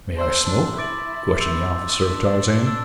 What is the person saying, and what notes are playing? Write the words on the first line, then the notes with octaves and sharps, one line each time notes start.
"May I smoke?" questioned the officer of Tarzan.
C5 A5 C6 E6
D4
E4 D6 A6 D7 F#7
C6 E6 G6
D4 C6 E6 B6
A5 E6 A6 D7 G7